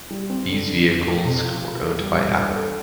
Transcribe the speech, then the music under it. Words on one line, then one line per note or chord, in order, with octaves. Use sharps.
These vehicles were owned by Apple.
G3
C4
D3
D3
F3
A3
C3
F4
F4
A4
G3
G3
D4
A4